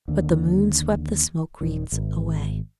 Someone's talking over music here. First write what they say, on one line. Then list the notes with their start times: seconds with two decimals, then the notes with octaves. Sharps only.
But the moon swept the smoke-wreaths away.
0.08 D#2 D3
1.61 D#1 D#3
1.92 G#1